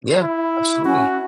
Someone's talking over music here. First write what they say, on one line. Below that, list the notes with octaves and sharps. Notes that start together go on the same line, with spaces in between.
Yeah, absolutely.
E4
C#4 F#4